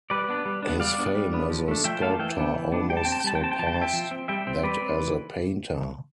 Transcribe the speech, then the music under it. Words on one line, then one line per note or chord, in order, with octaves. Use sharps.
His fame as a sculptor almost surpassed that as a painter.
G3 B4 D5
B3 D4
G3
B3 D4
G3 D5 F5
B3 D4
G3
B3 D4
F3
A3 D4
F3 E5 G5
A3 D4 F5 A5
E3 E5 G5
B3 D4
E3
B3 D4
G3 G5
A5
C4 G5
A5
G5
G3 A5
G5
C4 A5
G5
F3 A5
G5
C4 A5
E5 G5
F3
C4
G3 E5 G5
C4
G3 B4 D5
C4
E3